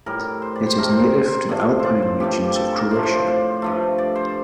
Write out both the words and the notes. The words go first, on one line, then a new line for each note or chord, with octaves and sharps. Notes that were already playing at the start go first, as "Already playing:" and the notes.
It is native to the alpine regions of Croatia.
A2 G3 A#4
C5
D5
C5
C3 D#3 A3 A#4
C5
A#4
C5
A2 F3 A3
C5
D5
C5
G2 F3 A3 G4
G4
A4
A4
A#4
A2 F3 A3 C5
C5
D5
C5
G2 F3 A3
D5
C5